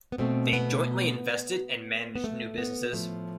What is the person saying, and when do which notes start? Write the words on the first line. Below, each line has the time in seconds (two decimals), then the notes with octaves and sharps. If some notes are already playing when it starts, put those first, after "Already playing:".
They jointly invested and managed new businesses.
0.12 B3
0.18 B2 A3 C4
0.53 B3
2.15 B3
2.24 A3
2.58 B3
2.92 A2 F3 A3